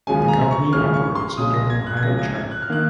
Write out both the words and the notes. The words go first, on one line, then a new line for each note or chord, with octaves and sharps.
The company operates under an Ohio charter.
D#2 C#3 F3 G#3 C#4 G#5
A#5
C#6
D#2 C#3 F3 G#3 C#4 F6
C#6
C6
C#2 C3 F3 G#3 C#4 D#6
A#6
G#6
F#6
G#6
C#2 C3 F3 G#3 C#4 A#6
G#6
G#6
F#6
F6
D#3 A#3 F#6